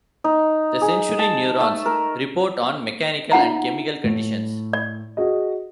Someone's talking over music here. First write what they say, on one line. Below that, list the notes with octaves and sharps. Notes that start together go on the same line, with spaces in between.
The sensory neurons report on mechanical and chemical conditions.
D#4
G#4
A5
A3
A#4
D#4 F4 E5 F#5 A#5
A2
D5
F#4 G#4 D#5